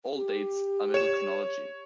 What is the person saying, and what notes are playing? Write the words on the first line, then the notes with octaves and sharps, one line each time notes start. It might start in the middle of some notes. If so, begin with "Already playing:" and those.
All dates are middle chronology.
G4
C#5 E7